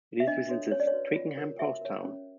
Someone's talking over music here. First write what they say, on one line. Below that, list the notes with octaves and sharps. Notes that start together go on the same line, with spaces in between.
It is within the Twickenham post town.
E5
D4 D#5
F#4 A4 C#5
C#4 C#5
D5
C#5
F#4 B4
F4
A#4 C#5
F#4 E5
A#4 C#5
C#4